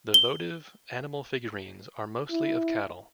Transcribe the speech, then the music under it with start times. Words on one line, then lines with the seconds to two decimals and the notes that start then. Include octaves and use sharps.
The votive animal figurines are mostly of cattle.
0.14 G7
2.31 E4